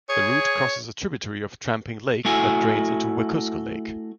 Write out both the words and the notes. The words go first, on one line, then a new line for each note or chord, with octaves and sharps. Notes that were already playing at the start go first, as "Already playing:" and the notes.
The route crosses a tributary of Tramping Lake that drains into Wekusko Lake.
G#4 C#5
A3 E4 F#4 G#5